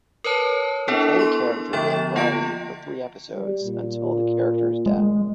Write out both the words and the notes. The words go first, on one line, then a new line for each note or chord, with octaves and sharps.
He played a character named Rauli for three episodes, until the character's death.
A#4 B4 C#5 A5
B3 D4 E4 A4 A#4
C6 C#6
D3 F3 B3 G5 A6 E7
A#3 F4 D#5 F#5 A#6 D7
G3
A#2
G#3